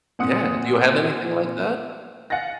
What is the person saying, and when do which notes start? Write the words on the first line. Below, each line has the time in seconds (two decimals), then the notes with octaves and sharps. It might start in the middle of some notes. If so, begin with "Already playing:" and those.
Yeah. Do you have anything like that?
0.19 A#2 C4 F#5 D#6 C#7
2.30 F5 F#5 G#5 A6 A#6